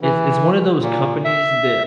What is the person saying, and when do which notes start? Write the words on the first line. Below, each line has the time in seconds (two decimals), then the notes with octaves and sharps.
it's it's one of those companies that
0.01 E3
0.82 A#2
1.24 E5